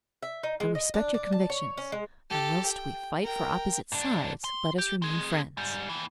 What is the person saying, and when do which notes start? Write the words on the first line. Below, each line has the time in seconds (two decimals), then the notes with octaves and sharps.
I respect your convictions, and whilst we fight for opposite sides, let us remain friends.
0.23 E5
0.43 D#4
0.60 G#3
0.75 D#5
0.94 D4
1.14 D4
1.32 A5
1.50 C#5
1.78 C#4
1.92 G#3
2.30 G4 A4
2.66 G5
3.23 A#4 G5
3.92 G#2 D4
4.44 C6
4.78 G4
5.02 C4 G#4
5.57 G#2 G3
5.89 D#2 E3